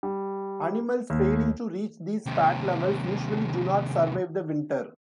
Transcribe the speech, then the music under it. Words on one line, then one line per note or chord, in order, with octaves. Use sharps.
Animals failing to reach these fat levels usually do not survive the winter.
G3
D#2
D#2 C3